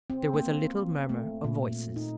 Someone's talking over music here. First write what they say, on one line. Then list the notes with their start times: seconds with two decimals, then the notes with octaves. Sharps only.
There was a little murmur of voices.
0.10 C4
0.34 A#3
1.09 A3
1.44 A#2
1.96 D#4